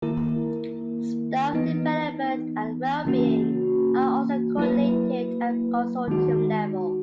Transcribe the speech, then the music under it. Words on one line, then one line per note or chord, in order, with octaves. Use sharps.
Staff development and well-being are also coordinated at consortium level.
D#3 A#3 E4 A#4
E3 B3 D#4
C#3 E3 A#3 C#4 F#4
F#3 A#3 E4 B4
D#3 G#3 D#4 F#4